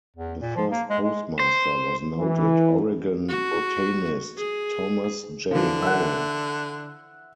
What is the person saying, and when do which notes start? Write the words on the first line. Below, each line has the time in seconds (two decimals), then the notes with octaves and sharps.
The first postmaster was noted Oregon botanist Thomas J. Howell.
0.16 E2
0.42 A#2
0.56 F3
0.71 A#3
0.90 G#3
1.03 G#3
1.39 C5
2.17 E3
3.28 F#4
4.37 G#4
5.51 D3 E3 F3
5.82 E5 F#5